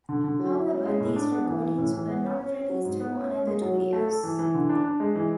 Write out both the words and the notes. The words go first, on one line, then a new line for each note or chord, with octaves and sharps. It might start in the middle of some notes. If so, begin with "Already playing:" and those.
However, these recordings were not released for another two years.
D3
D3
F#3
E4
C#4
G#3
A2
D4
B3
E3
E3
A2
E3
B3
C#4
C#4
C#4
F#3
G#2
B3
C#4
C#4
G#3
F#3
F#3
A3
A4
E3
E3
D3
D4
D4
G#3
E3